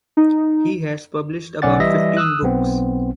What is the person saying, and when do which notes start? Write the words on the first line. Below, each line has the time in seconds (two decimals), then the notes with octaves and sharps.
He has published about fifteen books.
0.17 D#4
1.62 B1 C#4 D5 F#5 A6
1.80 E3 G3 D#5 E5 A#6
2.17 D#6 E6 F#6
2.43 B1 B3 C4